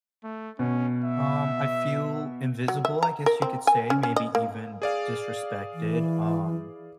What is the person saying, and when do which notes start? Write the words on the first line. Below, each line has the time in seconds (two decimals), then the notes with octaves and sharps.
Um, I feel invisible, I guess you could say, maybe even disrespected, um
0.24 A3
0.59 B2 C#4
1.04 E5
2.68 F#3
2.85 E5
3.03 A#5
3.26 A#4
3.42 C4
3.67 G#5
3.90 C#4
4.03 C#4
4.16 D#5
4.35 A#3
4.82 G#4 D5 F5
5.74 E3